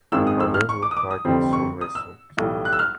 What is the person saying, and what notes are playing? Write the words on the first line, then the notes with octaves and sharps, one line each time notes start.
However fighting soon resumed.
G#1 F#2 D#3 G#3 E6
D#6
E6
F6
C#6
D6
D#6
D6
D#6
F1 F2 D3 G3 C4
C#6
D#6
E6
B1 A2 E3 G3
F#6
E6
F6